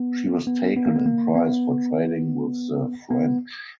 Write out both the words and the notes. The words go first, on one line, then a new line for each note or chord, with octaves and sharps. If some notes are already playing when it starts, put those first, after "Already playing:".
She was taken in prize for trading with the French.
Already playing: B3
B3
B3
A#3
B3
A#3
B3
B3